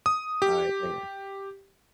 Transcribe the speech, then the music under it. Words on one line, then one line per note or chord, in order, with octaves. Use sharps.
Alright, later.
D#6
G4